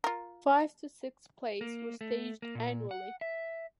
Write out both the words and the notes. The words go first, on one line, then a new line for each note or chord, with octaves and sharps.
Five to six plays were staged annually.
F4 A#4
A#3
A3
A#3
A#2
F#5
E5